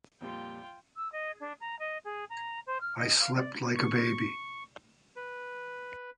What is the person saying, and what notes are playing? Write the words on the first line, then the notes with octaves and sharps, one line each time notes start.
I slept like a baby.
F2 A#2 G3 F4 G5
E6
D#5
D4
A#5
D#5
G#4
A#5
C5
F6
D#5
F5
D5
C#6
B4